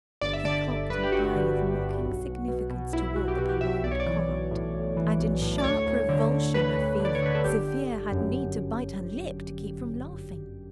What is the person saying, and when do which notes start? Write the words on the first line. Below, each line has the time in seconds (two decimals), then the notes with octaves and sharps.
He cocked an eye of mocking significance toward the purloined "Corot," and in sharp revulsion of feeling Sofia had need to bite her lip to keep from laughing.
0.21 G1 D5
0.33 E5
0.45 D3 D5
0.56 D5
0.68 G1
0.90 G2 B4
1.03 G4
1.12 G1 F#4
1.35 D3
1.57 G1
1.80 G2
2.02 B1
2.25 B1
2.48 B2
2.70 B2
2.93 B1 E4
3.16 B1 F#4
3.28 G4
3.38 B2 F#4
3.49 G4
3.61 B2 E5
3.72 E5
3.83 B1 D5
3.91 C#5
4.00 D5
4.06 E3
4.28 B1
4.51 A2
4.74 B1
4.97 E3
5.19 B1
5.41 A2
5.58 D5
5.64 D2 C#5
5.86 D2
6.09 D3
6.32 D3
6.54 D2 B4
6.77 D2
7.00 D3
7.05 D5
7.15 C#5
7.22 D3 B4
7.35 A4
7.44 G1 G4
7.68 D3
7.91 G1
8.12 F#2